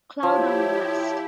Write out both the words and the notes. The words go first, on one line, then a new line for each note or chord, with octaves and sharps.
Cloud on the west.
F3 E4 G4 C#5